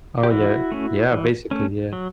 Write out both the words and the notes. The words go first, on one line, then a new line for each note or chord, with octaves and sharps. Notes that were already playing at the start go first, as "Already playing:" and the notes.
Oh, yeah Yeah. Basically, yeah.
G4
E3 E4 F#4
A3 C#4
E3
A3 C#4
F#3